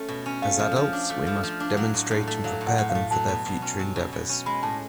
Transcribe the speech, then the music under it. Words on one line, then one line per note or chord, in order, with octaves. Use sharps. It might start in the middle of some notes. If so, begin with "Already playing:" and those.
As adults we must demonstrate and prepare them for their future endeavors.
Already playing: A3 C#4
B2
C#4
A3 F5
F3
F3
D4
A3
F3
F3
D4
F#3
A2
A2
A3
F#3 F5
A2
F#5
A2
F5
A3
F#3 A5
B2
B2
C#4
F#3
B2
B2
C#4
G#3 B5
A2 A5